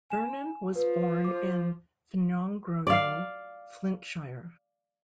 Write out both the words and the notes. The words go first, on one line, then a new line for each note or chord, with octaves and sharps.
Vernon was born in Ffynnongroew, Flintshire.
G#5 E7
F3 B4
C5 D6
D5 F5